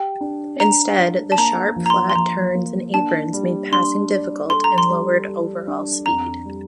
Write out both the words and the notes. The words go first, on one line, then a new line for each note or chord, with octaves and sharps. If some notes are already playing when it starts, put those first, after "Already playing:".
Instead, the sharp, flat turns and aprons made passing difficult and lowered overall speed.
Already playing: G4 G5
D4
D4 A#5
D4
A5
A#3 A#5
F3
A#5
C6
C6
F3 A#5
A#3
D4 A5
G3
D4 C6
D5
A4 C6
A#5
C6
G3
G3
D4
F2 A#5
G3